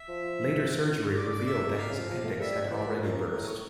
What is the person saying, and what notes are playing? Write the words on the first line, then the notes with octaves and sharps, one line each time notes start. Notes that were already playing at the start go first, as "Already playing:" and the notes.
Later surgery revealed that his appendix had already burst.
Already playing: E5
F3
D5
D5
E5
D3 A#4 D5 F5
C#3
F3
F3
A3
G3 E5
E3 D5
A#2
A#2 C#4 F4 A#4
A2 A#4
C#5